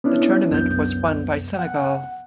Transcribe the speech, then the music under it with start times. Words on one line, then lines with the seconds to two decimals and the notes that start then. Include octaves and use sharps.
The tournament was won by Senegal.
0.04 B3 C#4 D4 E4
0.51 C2 F#2 B3 G6
1.59 F#5